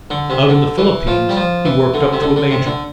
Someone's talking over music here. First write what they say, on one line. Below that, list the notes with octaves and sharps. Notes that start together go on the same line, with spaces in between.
Out in the Philippines he worked up to a Major.
D3
C3
D3
E3
F3
G3
F3
E3
D3
C3
D3
D3
C3
D3